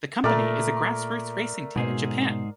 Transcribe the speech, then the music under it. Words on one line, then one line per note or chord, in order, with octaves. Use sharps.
The company is a grass-roots racing team in Japan.
A#2 A3 A#4 D5
G#2 B2 G#4 C5